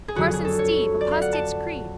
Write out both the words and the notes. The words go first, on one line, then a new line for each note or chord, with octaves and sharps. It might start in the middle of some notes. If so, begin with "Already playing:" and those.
Parson Steve, apostates' creed!
G#4
F2 D3 F#3 F#4
G#4
A4
C#5
D5
F5
F#5
A5